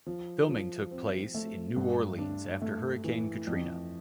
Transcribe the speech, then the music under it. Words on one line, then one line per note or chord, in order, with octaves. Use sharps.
Filming took place in New Orleans after Hurricane Katrina.
F3
F3
C4
A3
G2
D4
A3
E3
F2